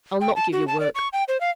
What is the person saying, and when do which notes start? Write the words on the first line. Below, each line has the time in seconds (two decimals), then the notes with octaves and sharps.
I'll not give you work.
0.21 G5
0.36 A5
0.52 F#4
0.68 A5
0.80 D5
0.95 C#6
1.13 G5
1.28 C5
1.41 F5